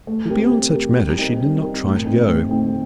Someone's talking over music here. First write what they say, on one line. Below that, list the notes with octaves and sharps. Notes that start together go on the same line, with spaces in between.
But beyond such matters she did not try to go.
A3
C4 G4 A#4
A3
C4 G4 A#4
G3
C4 D#4 A#4
G3
C4 D#4 A#4
A2
A3 C4 D#4
A2
A3 C4 D#4